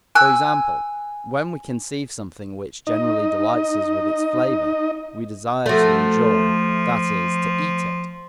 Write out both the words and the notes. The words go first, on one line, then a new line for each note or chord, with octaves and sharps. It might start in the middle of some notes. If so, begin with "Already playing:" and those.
For example, when we conceive something which generally delights us with its flavour, we desire to enjoy, that is, to eat it.
G#5 E6 F#6
D#4 D#5
F3 A3 F#4